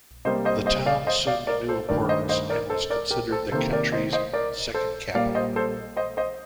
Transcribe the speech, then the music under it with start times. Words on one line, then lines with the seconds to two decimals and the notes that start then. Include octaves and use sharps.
The town assumed new importance and was considered the country's second capital.
0.25 C3 G3 A#3 C5 D#5
0.45 C5 D#5
0.66 C5 D#5
0.86 D5 F5
1.07 C5 D#5
1.27 D5 F5
1.47 A#4 D5
1.68 A4 C5
1.89 G2 D#3 A3 A#4 D5
2.09 C5 D#5
2.29 C5 D#5
2.50 A#4 D5
2.70 A4 C5
2.90 A#4 D5
3.11 G4 A#4
3.31 A4 C5
3.52 C3 D#3 A#3 A4 C5
3.73 A#4 D5
3.92 C5 D#5
4.13 C5 D#5
4.33 A#4 D5
4.74 A4 C5
5.15 A#2 G3 A#3 D5 F5
5.35 C5 D#5
5.56 A4 C5
5.97 C5 D#5
6.17 C5 D#5